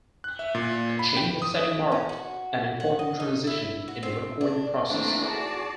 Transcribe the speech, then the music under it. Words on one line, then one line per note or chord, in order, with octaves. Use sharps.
The change of setting marked an important transition in the recording process.
F#6
E5
A#2
B5
G5
D#6
C#4
F#4
F#5
D#5
D#4
E4
F#4
C4
D4
D#3 E3 A3 A#3 C4 D4
F#4 G#4 D5 A5